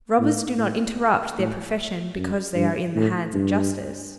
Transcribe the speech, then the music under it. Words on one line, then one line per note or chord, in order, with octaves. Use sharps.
Robbers do not interrupt their profession because they are in the hands of justice.
A2
A2
A2
F#2
G2
A2
G2